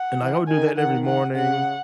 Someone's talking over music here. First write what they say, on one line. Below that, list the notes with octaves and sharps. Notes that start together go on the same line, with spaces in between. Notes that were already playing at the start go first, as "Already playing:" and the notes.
and, like, I would do that every morning,
Already playing: F#5
E3
D#3 G#5
D#3 F#5
F#5
C#3 F#5